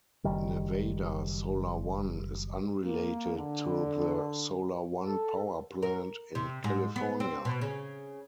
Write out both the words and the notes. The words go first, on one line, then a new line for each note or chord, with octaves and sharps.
Nevada Solar One is unrelated to the Solar One power plant in California.
F#1 D#3 G3
A#3
D3
A4
A#4
C3
G#2
B3
C4
B2
C#3